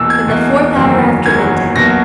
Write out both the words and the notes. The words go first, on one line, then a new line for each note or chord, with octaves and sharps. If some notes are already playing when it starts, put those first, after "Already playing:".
'Then the fourth hour after midday.
Already playing: E2 B2 A#3 E6
G#6
E2 B2 A#3
F#1 E2 D#3 F#3 A#3
F#1 E2 D#3 F#3 A#3 G#6
B1 B2 F#3 A#3 A#6